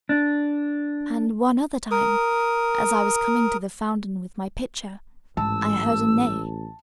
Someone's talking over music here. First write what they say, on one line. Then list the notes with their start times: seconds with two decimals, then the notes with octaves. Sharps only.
And one other time, as I was coming to the fountain with my pitcher, I heard a neigh.
0.09 D4
1.91 A#4 D#6
5.37 A1 G#2 A5 E6